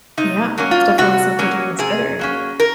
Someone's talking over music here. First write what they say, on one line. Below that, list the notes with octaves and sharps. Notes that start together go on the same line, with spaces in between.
Yeah. It's definitely something to consider.
C3 D#4
F#3 A#3 C#4
F4
C3 F#4
F#3 A#3 C#4
C3 G#4
F#3 A#3 C#4
A#4